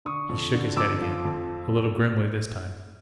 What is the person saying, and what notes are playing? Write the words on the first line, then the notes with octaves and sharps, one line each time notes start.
He shook his head again--a little grimly this time.
D3 C#6 D#6
F2
D3
F2 D6 E6
F3
F2